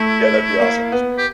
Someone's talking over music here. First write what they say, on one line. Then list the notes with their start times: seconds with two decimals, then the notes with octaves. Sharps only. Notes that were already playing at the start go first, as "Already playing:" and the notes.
yeah that'd be awesome.
Already playing: A3 E4
0.60 A#3
0.92 B3
1.18 G4